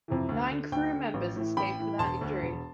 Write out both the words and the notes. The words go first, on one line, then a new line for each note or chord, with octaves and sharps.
Nine crew members escaped without injury.
F2 C3 E3
D2
D3
D2 G5
D3
A1
A2 E3
A1 G5 B5
A2 E3
E1 A5 C6
D2 D3
E1